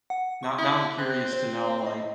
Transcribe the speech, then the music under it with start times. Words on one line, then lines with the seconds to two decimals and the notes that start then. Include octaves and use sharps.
now now I'm curious to know, like,
0.10 F#5
0.43 C#6
0.58 E4 D#6
0.98 C4 F#6
1.33 C5
1.86 D#5